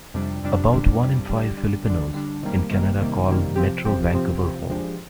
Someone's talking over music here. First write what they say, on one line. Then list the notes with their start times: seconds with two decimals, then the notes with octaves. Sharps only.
About one in five Filipinos in Canada call Metro Vancouver home.
0.14 F2 C3 G3 D4
0.43 F2 C3 G3 D4
0.71 F2 C3 G3 D4
1.01 F2 C3 G3 D4
1.29 D3 G3 D4
1.57 D3 G3 D4
1.86 D3 G3 D4
2.14 D3 G3 D4
2.43 C3 D#3 G3 A#3
2.71 C3 D#3 G3 A#3
3.00 C3 D#3 G3 A#3
3.28 C3 D#3 G3 A#3
3.56 C3 F3 C4 G4
3.85 C3 F3 C4 G4
4.13 C3 F3 C4 G4
4.42 C3 F3 C4 G4
4.70 F3 G#3 D4 G4 C5